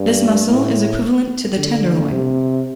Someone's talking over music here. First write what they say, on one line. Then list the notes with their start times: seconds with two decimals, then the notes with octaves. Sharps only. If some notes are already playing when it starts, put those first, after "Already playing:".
This muscle is equivalent to the tenderloin.
Already playing: G2
0.48 A2
1.57 D3
2.12 C3